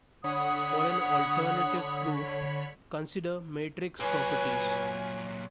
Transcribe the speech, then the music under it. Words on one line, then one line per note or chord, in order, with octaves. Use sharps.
For an alternative proof, consider matrix properties.
D3 C#5 F#5 B5 D#6
A#2 F#3 B4 C#5 G#5